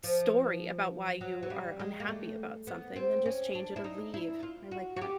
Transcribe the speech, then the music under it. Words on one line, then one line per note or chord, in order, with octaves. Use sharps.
story about why you are unhappy about something, then just change it or leave. I like that
F3
F#3
F#3
G3
G#3
A#3
A3
B3
C4
C#4
D4
E4
D#4
E4
F4
F#4
F#4
G4